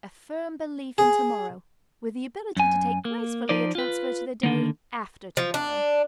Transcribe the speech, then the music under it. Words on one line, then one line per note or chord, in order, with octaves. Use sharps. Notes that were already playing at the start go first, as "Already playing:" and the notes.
A firm belief in to-morrow with the ability to take gracefully a transfer to the day after to-morrow.
G#4
F#2 G#5
A#3
F3 D#4 C5 D5
F4 B4
D3 D#3 A#3
F3
D4